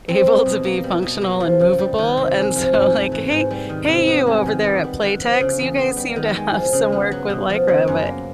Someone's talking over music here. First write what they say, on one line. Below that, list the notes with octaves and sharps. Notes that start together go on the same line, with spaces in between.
able to be functional and movable," and so, like, "Hey, hey, you over there at Playtex. You guys seem to have some work with Lycra," but,
C4
G3
B2
A#3
G3
B2
A#3
F3
C#3
G3
D#3
C3
G#3
F3
G#2
A3
E3
G#2
G3
D#3
C3
B3
G#3
D#3
B3
G3
D3
F3
C#3
E2
B3
G3
D#3
G#3
F3
C#3
B3
F#3
B2
F3
C#3
F#2
A#3